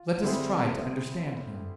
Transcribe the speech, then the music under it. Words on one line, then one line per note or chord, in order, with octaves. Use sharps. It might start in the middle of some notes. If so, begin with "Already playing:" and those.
Let us try to understand him.
Already playing: F4
D3 G3 C4 E4 G#4